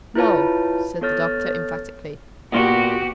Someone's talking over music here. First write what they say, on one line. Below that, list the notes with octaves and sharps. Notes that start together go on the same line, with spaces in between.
"No," said the doctor emphatically.
E4 F4 B4 C#5 A5
B3 A4 C#5 F6 A6
A#2 B3 F#4 G4